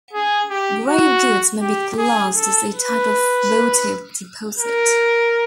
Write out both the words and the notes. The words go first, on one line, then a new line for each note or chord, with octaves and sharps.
Grave goods may be classed as a type of votive deposit.
G#4
G4
F#4
G4
G#4
A4
B4
A#4